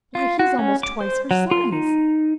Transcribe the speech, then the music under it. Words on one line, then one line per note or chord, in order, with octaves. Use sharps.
"Why, he's almost twice her size."
F4
F#4
C#4
D6
C5
F#3
F4
D#4